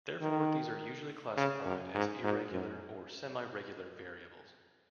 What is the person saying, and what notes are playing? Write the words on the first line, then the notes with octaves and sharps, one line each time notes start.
Therefore, they are usually classified as irregular or semiregular variables.
D#3
C#3
F#2
G#2
G#2
F#2